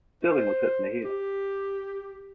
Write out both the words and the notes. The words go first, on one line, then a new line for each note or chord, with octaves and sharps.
Sterling was hit in the head.
C5
G4